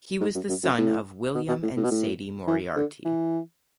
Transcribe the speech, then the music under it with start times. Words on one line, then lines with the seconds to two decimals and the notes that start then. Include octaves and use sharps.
He was the son of William and Sadie Moriarty.
0.20 G#2
0.35 F#2
0.49 F#2
0.63 F#2
0.78 A2
1.35 B2
1.48 B2
1.62 A2
1.77 A2
1.84 B2
1.91 A2
2.47 E3
2.76 D3
3.05 E3